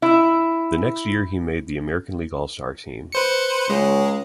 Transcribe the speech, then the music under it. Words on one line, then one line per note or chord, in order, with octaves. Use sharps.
The next year he made the American League All-Star team.
E4
B4 C5 C#7
C#2 G#3